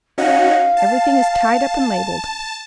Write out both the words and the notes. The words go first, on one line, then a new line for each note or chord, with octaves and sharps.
Everything is tied up and labelled.
C#4 D#4 F#4 F5
A5